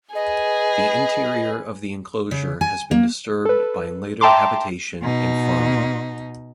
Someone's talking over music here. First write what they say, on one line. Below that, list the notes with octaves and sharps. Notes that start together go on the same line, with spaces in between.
The interior of the enclosure has been disturbed by later habitation and farming.
G#4 B4 D#5
C#3
G#5
A#3
A4 B4
E5 G5 A5 A#5 C6 D6
B2 D#4